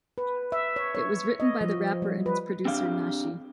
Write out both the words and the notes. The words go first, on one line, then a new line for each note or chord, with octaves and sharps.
It was written by the rapper and its producer Nashi.
B4
E5
C#5
C#5
D#5
F3
G3
B4
C4 D4 G4 F5